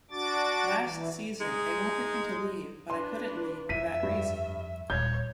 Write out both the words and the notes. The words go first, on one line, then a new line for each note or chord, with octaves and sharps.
Last season, they wanted me to leave but I couldn't leave for that reason.
D4 F#4 D6 A6
E3
G#3 D#4
D4 B4 C6
F2 E5 B6 D#7
G2
D#1 C#5 G6 G#6